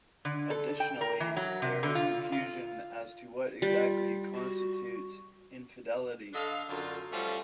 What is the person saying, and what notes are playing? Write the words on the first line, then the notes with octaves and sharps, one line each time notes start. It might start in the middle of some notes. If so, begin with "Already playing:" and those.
Additionally, there is confusion as to what exactly constitutes infidelity.
D3
A4
G5
A#4
E3
F#3
C3
D3
F4
F4
G3 F4
F#4
D3 D4 A4 D#5 F5
F#2 D3 F4
F3 G3 A3 C#4 F4 F#4